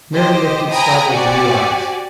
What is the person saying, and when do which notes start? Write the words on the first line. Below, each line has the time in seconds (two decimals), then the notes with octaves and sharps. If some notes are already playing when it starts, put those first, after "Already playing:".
Mary lifted startled blue eyes.
0.14 G4 C5 D#5
0.71 G5 G#5 A#5 B5 D#6
1.10 C4 F#4 G4 D5 G#5